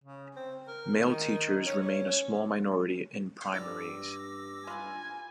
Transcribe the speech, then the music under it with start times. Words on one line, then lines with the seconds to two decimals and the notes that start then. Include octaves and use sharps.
Male teachers remain a small minority in primaries.
0.04 C#3
0.36 C4
0.68 A#4
1.00 D#3
1.66 C#4
1.81 C#4
3.54 G2 G3 D5 D6 E6 A#6
4.67 F4 B4 G#5